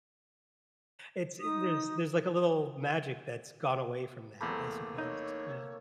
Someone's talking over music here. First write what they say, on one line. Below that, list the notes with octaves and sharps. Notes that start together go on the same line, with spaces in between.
It's in there's there's a little magic that's gone away from that, I suppose, yeah.
D#4 D#6
E2 A3 A#3 C4 B5
D#4 C#5